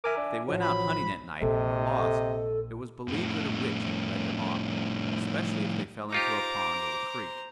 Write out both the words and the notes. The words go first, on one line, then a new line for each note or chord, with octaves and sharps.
If they went out hunting at night and were lost, it was believed that a witch had led them off, especially if they fell into a pond or creek.
A#4 E5 G#5 D6
D4
A1 F3 F#3
B5
A#1 C3 A4 D#5
F2 A2
D#4 F4 G4 C5 A#5 D6